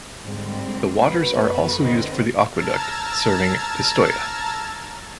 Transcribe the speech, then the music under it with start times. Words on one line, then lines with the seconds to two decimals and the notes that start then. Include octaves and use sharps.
The waters are also used for the aqueduct serving Pistoia.
0.24 G#2 D3 G3 C4
1.02 B3 F#4 B4
1.43 F#2 A4
1.80 D3 C4 D#5
2.50 A5 A#5 E6 F6 G#6 A6